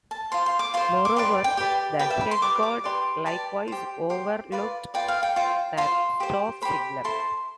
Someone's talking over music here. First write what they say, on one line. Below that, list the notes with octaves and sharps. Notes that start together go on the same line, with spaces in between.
Moreover, the head guard likewise overlooked that "stop" signal.
A5
F4 C5 C6
C6
D6
F4 C5 C6
D6
G4 B4 D5 C6
G5
G4 B4 D5
G4 B4 D5 G5
E5
B5
C6
G4 B4 D5 D6
D6
G4 B4 D5 C6
G4 B4 D5 A5
G4 C5
G4 C5
F4 B4 D5
F4 B4 D5 G5
F5
G5
F4 C5
F4 C5 C6
G4 C5
G4 C5 B5
E4 A4 C5 C6